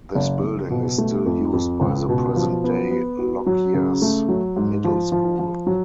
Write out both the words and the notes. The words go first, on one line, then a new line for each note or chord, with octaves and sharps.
This building is still used by the present day Lockyer's Middle School.
F#1
F#1
B2
A3
F2
F2
C#2
B2
F3
B3
B3
F#4
F#3
C#3
A3
F#3
G#2
F3
F3
F3
F#3